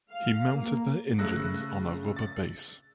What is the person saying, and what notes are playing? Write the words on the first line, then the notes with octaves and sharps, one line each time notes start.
He mounted their engines on a rubber base.
F5
A#3
C#3 A3 E6 F#6 A#6
A6